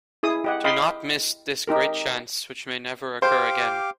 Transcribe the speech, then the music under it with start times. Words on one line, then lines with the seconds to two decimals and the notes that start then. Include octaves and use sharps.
Do not miss this great chance, which may never occur again.
0.23 E4 G#4 D#6
0.44 G4 D#5 F#5
0.64 D#5 F5 G5 B5 C6 D#6
1.67 D#4 G4 A#4
3.22 G4 C5 F5 D6